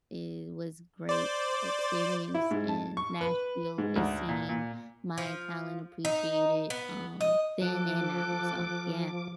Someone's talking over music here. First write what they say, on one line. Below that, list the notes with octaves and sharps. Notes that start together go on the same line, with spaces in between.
it was great experience in Nashville is seeing my talent appreciated, um, then and now, so, yeah.
C5 D5
E4
G#2
A5
C#6
B4
G#2
D2
A#2
A#2
F3
D#4
B3
D#5
F3 A4 D6 F#6